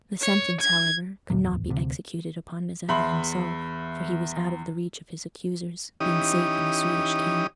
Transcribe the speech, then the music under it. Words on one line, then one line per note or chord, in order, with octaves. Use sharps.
The sentence, however, could not be executed upon Mazeppa himself, for he was out of the reach of his accusers, being safe in the Swedish camp.
C#5
G#6
D2 A#2 F#3
D1 G#1 E2
D2 C3
E2 E5 B5 C6 F#7
E3 C#4 D#4 G4 D#6